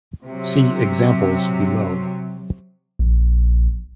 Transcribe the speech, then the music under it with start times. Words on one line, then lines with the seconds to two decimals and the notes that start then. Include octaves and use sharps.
See examples below.
0.25 C3 F#3
2.99 A#1